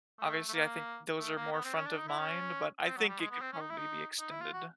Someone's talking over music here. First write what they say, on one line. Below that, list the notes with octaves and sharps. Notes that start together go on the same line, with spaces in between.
obviously I think those are more front of mind, but I think it could probably be extended,
A3
A3
A#3
A3
A#3
B3
C4
C#4
D4
D#4
E4
C#4
C4
F#3
G3
G#3
B3
C4
C#4
D#4
E4
D#4
D#4
E4
F4
F#4